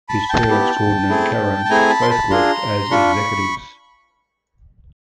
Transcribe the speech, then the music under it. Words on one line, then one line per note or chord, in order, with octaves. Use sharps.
His parents, Gordon and Karen, both worked as executives.
A5 B5
G5 A5
B3 E4 G4
A3 C4 E4 G#4
A5
A3 C4 E4 G#4 G#5 A#5
A5 B5
C6
A5 B5
D4 F4 G#4 A#5 C6
D4 F4 B5 C#6